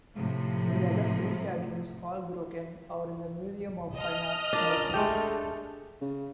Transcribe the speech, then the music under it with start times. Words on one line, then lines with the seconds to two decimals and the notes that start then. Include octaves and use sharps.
The other three statues, all broken, are in the Museum of Fine Arts, Boston.
0.17 A2 C3 F3
3.96 D#5 A5 F6
4.53 C#4 D4 F4 A#4
4.93 G#3 A3 D4 G4 A4
6.01 C#3